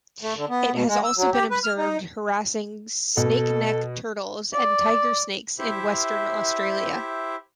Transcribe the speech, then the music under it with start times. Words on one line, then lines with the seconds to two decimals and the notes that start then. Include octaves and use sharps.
It has also been observed harassing snake-neck turtles and tiger snakes in Western Australia.
0.23 A3
0.36 D3
0.49 B3
0.74 B2
0.88 G#3
1.04 E6
1.17 F#3
1.33 G4
1.51 B4
1.64 F6
1.78 D#4
3.17 B2 A4
4.54 D5
5.59 E4 G4 C5 E5